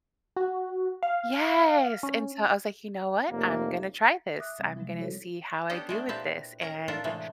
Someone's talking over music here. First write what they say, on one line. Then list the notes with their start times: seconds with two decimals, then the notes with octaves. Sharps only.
Yes! And so I was like, "You know what? I'm gonna try this. I'm gonna see how I do with this." And
0.37 F#4
1.03 F5
2.03 C#4
3.31 F1 A#3
4.38 E5 D6 D#6 F#6
4.59 C3 G3 C4
4.77 F3 F#3 G#3
4.98 E4 F#4 A4 C5 C#5
5.69 B3 C#4 D4 G4 A4 D#5
5.89 G#3 A3 D4
6.09 A#2 C4 E4 G4 B4 A5
6.62 C#4 A#4 A#5
6.88 A2 D4 F4 A4 A#4
7.04 A2 C3 E3 G#3 A3